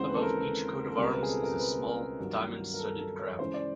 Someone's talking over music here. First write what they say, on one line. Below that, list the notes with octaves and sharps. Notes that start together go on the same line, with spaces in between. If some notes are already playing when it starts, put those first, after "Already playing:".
Above each coat of arms is a small diamond-studded crown.
Already playing: D#2 C#3 E3 G#3 C4 C5 F#5
B4
A4
A#4
A4
A4
C#2 B2 G3 C4 A#4
B4
G#4
A4
A#4
B4
A#4
G2 D#3 F#3
A#4
A4
A4
C#5
C#3 E3 G#3 C#4 E4 C5
D5